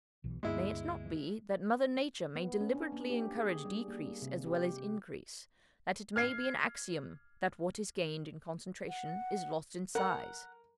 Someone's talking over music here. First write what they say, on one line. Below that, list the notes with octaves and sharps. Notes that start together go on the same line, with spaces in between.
May it not be that Mother Nature may deliberately encourage decrease as well as increase--that it may be an axiom that what is gained in concentration is lost in size?
B1 B2 E3
D2 G2 G#3 B3 E4
B3
C#4
D4
A#3
G4
G#4
G3
A#3
C3
G4
F6 G#6 C7
F#5
A#4 F#5 A#5